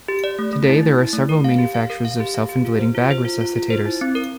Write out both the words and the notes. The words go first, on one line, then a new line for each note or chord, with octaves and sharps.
Today there are several manufacturers of self-inflating bag resuscitators.
G4
D5
A3
A3
E4
E4
E4
A3
A#4
F5
G4
F5
A#4
F5
G4
F5
G4
F4
C5
F4
C5
F4
F4
F4
C5
E4
C4
A#4